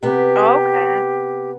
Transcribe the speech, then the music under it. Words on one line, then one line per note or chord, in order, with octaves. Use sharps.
Oh, okay.
C3 B3 G4